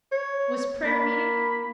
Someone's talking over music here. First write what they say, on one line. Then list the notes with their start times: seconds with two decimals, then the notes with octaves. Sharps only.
"Was prayer-meeting?"
0.12 C#5
0.84 A#3 B5